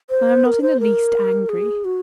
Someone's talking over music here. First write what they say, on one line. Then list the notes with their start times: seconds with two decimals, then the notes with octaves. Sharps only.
"I am not in the least angry."
0.10 C5
0.46 A#4
0.62 C5
0.80 A#4
1.49 G#4
1.85 F#4